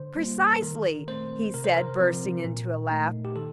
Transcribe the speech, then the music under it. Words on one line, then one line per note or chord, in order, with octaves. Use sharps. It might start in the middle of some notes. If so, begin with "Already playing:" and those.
"Precisely," he said, bursting into a laugh.
Already playing: D3 C5
G3 A#3 F4
A4
D#3 A#4
A3 C4 C5
C3 A#4
C5
A#4
F3 C4 F4
A#2
A3 D#4
G4
D#3 A4